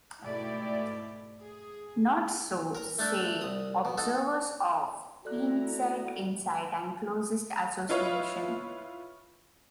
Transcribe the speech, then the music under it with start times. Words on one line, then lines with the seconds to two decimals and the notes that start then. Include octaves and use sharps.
"Not so," say observers of keenest insight and closest association.
0.22 G#2 B2 A3 E4 G4 D5
1.40 G#4
2.75 A#4 A#5
2.99 A3 D4 A4 E5
3.41 C2 D#6
3.85 B2
3.98 D#4 F#4 A4
5.25 A3 E4 F#4 A4 D5 A#5 F#6
7.89 E4 F4 B4 C#5 D#5 F5